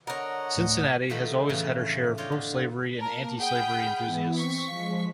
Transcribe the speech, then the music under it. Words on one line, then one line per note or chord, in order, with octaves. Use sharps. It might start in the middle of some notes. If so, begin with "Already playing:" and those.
Cincinnati has always had her share of pro-slavery and anti-slavery enthusiasts.
D3 A#4 C#5 D#5 F#5
D1 A2
B2 D#3 F3 A3 D#5 B5
F2 A2 C#3 E3 E4
D4 F4 C#5 D#5 G5
D3
A#3 A#4 A5
G#4 F#5 G5 B5 F6 G6
E3 B3 E4
C4 C#6 B6
F3 G#3 F5